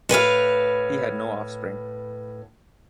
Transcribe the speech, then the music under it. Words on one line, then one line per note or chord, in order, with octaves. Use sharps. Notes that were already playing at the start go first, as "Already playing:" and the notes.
He had no offspring.
A2 B4 C#5 F5